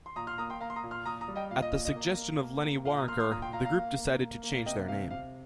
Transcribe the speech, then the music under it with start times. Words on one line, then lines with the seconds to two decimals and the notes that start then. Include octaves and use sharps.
At the suggestion of Lenny Waronker, the group decided to change their name.
0.06 C6
0.16 A#2 A#5 D#6
0.27 C6 F6
0.38 A#3 A#5 D#6
0.50 G5 C6
0.61 A#3 F5 A#5
0.70 C6
0.76 A#5 D#6
0.83 A#2
0.91 C6 F6
1.05 A#2 A#5 D#6
1.21 A#5 D#6
1.28 G3
1.36 D#5 G5
1.51 A#2 F5
1.62 D#5
1.73 A#2 D#5
1.85 D#5
1.96 A#3
2.18 A#3
2.40 A#3
2.64 A#3
2.85 A#2 F5
2.97 A#5 D#6
3.08 A#3 C6 F6
3.19 C6 F6
3.31 A#2 A#5 D#6
3.42 G5 C6
3.53 A#2 F5 A#5
3.65 F5 A#5
3.76 A#3
3.98 A#3
4.21 A#3
4.43 A#3
4.66 C3 D#5 G5
4.88 C3 F5
5.11 C3 F5